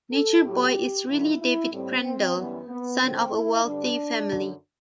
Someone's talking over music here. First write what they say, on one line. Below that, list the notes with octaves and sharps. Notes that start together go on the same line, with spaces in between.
Nature Boy is really David Crandall, son of a wealthy family.
A4
A2 F#3 G4
F#2 D3 F#3 E4
E4
A2 G3 C4
C4
F#2 E3 G3 B3
B3
D2 D3 F#3 C4
E4
G2 D3 G3 D4
F#2 D3 F#3